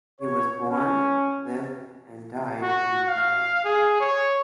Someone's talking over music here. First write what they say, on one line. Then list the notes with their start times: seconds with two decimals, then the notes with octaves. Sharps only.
He was born, lived and died in Paris.
0.20 C#5
0.68 C#4
2.62 F#4
3.08 F5
3.64 G#4
4.00 C#5